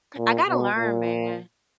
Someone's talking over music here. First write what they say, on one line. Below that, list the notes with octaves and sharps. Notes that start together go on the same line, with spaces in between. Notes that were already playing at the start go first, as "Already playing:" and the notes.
I gotta learn, man.
A#2
B2
A#2